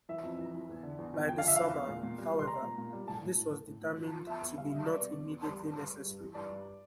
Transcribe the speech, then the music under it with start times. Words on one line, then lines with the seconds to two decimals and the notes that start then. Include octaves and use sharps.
By the summer, however, this was determined to be not immediately necessary.
0.09 E3 E5
0.23 F2
0.39 E3
0.54 E3
0.69 E2
0.83 D3
0.98 E2
1.14 E2
1.29 F3 G5
1.38 F5
1.44 D3 E5
1.56 D3 F5
1.73 E2
1.88 A#2
2.03 A#2
2.18 G3
2.33 G3
2.39 C6
2.47 G3 A#5
2.63 A#2
2.78 A#2
2.93 G3
3.07 A2 A5
3.21 A2
3.37 A2
3.52 A2
3.67 A2
3.82 A2
3.97 F3
4.12 F3
4.26 E2 E5
4.41 E2
4.57 G3 F5
4.71 G3 E5
4.86 G3 D5
5.01 C3
5.15 E2
5.31 E2
5.46 G3
5.61 G2
5.76 G2
5.91 G3
6.06 G2
6.20 E3
6.35 G2 D5
6.51 G2